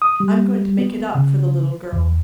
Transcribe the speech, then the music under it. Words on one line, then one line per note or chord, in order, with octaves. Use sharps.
I'm going to make it up for the little girl.
D#6
G3
B3
C#3
E2